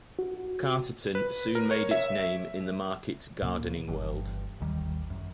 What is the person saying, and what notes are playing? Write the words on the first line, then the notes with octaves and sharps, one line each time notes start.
Carterton soon made its name in the market gardening world.
F#4
B4
A#4
C#5
E5
D2 A#2 C#3 A#3
G1 G2 E3
G#1 D#2 D#3 G3
F#2